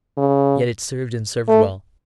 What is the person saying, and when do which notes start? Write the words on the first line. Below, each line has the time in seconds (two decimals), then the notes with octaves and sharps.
Yet it served and served well.
0.17 C#3
1.48 A3